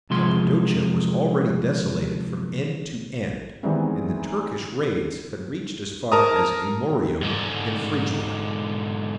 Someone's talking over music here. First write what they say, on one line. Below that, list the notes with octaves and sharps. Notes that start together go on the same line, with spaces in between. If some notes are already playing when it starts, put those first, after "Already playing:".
Cappadocia was already desolated from end to end, and the Turkish raids had reached as far as Amorium, in Phrygia.
C3 F3 G#3 C6
D#3 E3 G3 G#3 B3 C4
A#4 A5 A#5 D#6
G#2 D3